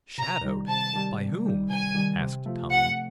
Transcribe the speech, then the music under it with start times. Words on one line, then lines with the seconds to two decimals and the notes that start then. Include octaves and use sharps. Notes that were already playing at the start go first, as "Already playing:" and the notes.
"Shadowed; by whom?" asked Tom.
0.18 C3 A#5
0.43 D#3 G3
0.69 C3 A5
0.94 D#3 G3
1.19 C3
1.45 D#3 G3
1.70 C3 G#5
1.95 D#3 G3
2.21 C3
2.46 F3 A3
2.70 C3 F#5